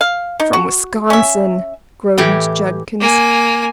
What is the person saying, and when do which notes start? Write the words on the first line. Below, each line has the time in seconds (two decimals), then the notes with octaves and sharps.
"From Wisconsin!" groaned Judkins.
0.01 F5
0.40 D#4
0.53 F#4
1.10 C#4 E5
2.18 A2 E3 G4
3.00 A#3 G#5